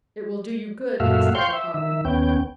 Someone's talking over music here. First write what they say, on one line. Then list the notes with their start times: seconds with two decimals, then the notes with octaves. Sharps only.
'It will do you good, instead of harm.
1.00 F#2 A#2 A3 F#4 E5 F5
1.35 C5 F5 G5 C6 C#6 G6
1.53 E5
1.74 D#3 E5
2.05 D#2 B3 C#4 G5